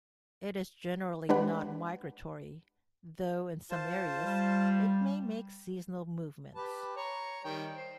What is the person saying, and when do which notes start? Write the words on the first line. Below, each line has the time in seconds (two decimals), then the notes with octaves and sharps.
It is generally not migratory, though in some areas it may make seasonal movements.
1.29 G#3 D4 G4 B4 F#5
3.71 F4 C5 A5
4.24 G3
6.55 G4 B4 A5
6.97 C#5 A#5
7.45 D#3 G3 G5
7.75 C5